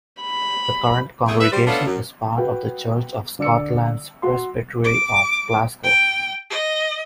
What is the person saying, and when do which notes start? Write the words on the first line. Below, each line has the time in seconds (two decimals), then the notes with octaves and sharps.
The current congregation is part of the Church of Scotland's Presbytery of Glasgow.
0.21 B5
1.27 E2 A3 G#4
1.40 B4 E5
1.52 G3 C5
1.67 A3 B3 C#4 D4 F4 A4
1.86 F#2
2.37 F#4 B4 G5
3.39 D3 D5 E6 C#7
4.22 F#4 C6
4.84 D6
5.84 G5
6.50 D#5